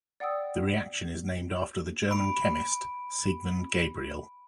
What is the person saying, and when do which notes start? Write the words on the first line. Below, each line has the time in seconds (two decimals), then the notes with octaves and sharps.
The reaction is named after the German chemist Siegmund Gabriel.
0.20 D5 F#5 G5 D#6 E6
2.11 B5 D7